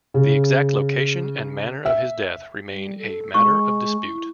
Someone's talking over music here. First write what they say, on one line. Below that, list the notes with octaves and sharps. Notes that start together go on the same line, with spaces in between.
The exact location and manner of his death remain a matter of dispute.
C#3
E5
G3
A4
G#3 C#6
E4